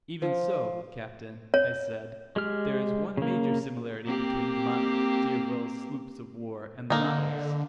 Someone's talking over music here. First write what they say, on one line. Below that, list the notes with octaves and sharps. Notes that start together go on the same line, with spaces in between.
"Even so, captain," I said, "there is one major similarity between Dumont d'Urville's sloops of war and the Nautilus."
F3
C#5
G#3 G4 F6
C#3 A#3
A#3 C4 G4
D3 A#3 D#4